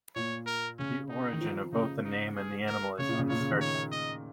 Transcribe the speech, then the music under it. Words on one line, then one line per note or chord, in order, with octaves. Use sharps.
The origin of both the name and the animal is uncertain.
A#2 C#5
A#4
C#3 C#4
D#4
D#3
F3
C#3 D#4
D#4
G#4
A#4
C#3 C#5
A#2
C#3
A#2 C#5
C#3
D#3
C#5
D#5